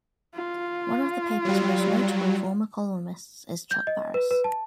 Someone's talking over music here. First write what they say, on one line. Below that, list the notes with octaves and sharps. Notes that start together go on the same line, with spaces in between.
One of the paper's most notable former columnists is Chuck Barris.
F4
F#3 G3
G6
D#5
B4
B4
A5